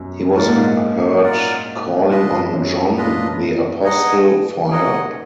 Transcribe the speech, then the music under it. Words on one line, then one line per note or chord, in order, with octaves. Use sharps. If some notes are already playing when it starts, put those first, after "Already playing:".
He was heard calling on John the Apostle for help.
Already playing: F#2 B2
G#2 F4 A#4 D5 F#5
A#2
G#2
F4 A#4 D5 F#5
G#2 D4 F4 B4 D#5
F#2
F#2
A#2 D4 F4 B4 D#5
D#4 G#4 D#5 F#5
D#3 D#4 G#4 D#5 F#5